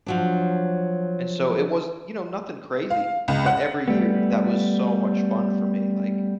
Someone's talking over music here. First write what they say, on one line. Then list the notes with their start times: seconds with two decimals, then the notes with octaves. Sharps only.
and so, it was, you know, nothing crazy, but every year, that was so much fun for me, like,
0.06 F3 F#3 D4
2.90 F5
3.28 C#2
3.46 F#5
3.88 G3 A3 B3